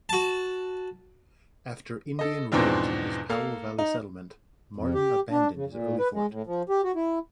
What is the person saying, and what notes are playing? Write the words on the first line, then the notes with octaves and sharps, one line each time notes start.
After Indian raids on his Powell Valley settlement, Martin abandoned his early fort.
F#4 A5
A4 D#5
E2 G#2 B2 F3 C4 D4
A#3 A4 F5
D#4
F2
G4
D4
C#3
A#2
B4
G#3
A2
F3
G4
F#4
E4